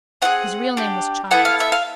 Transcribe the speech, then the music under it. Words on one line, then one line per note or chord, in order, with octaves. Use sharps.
His real name was Childs.
C4 E4 G#4 F#5
D4 G4
B3 E4 A4 F#5
F5
E5
F5